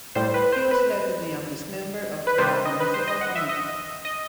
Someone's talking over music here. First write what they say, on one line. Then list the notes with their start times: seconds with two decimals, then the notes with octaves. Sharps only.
He was elected the youngest member of Delhi Municipal Committee.
0.15 A2 G3 C5
0.34 B4
0.52 C5
0.71 B4
2.27 B4
2.38 C3 D#3 G3 C5
2.65 D#5
2.80 B4
2.94 C5
3.07 D#5
3.21 F#5
3.35 E5
3.49 D#5
4.05 D#5